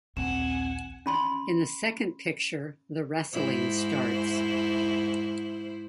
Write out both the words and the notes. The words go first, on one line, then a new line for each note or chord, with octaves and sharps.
In the second picture the wrestling starts.
A#1 D#2 C4 F#5 G#5 E7
C#4 B5 C6
G#2 E4 C5